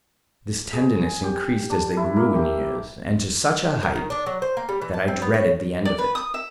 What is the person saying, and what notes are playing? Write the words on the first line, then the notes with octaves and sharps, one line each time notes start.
This tenderness increased as they grew in years, and to such a height, that I dreaded the end of it.
G#4
G#5
G4
D4
E4
A#3
G4
A#4
D#3
D4
F#3
C5
A#3
G3
E3
A5
C4
B3
C#5
D5
B4
D#6
E5